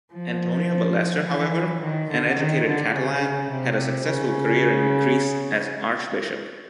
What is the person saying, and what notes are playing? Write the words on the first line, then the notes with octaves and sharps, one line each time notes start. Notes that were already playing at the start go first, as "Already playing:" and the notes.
Antonio Ballester, however, an educated Catalan, had a successful career in Greece as archbishop.
F3
E3
D#3
D3
D#3
D3
C#3
C3
C#3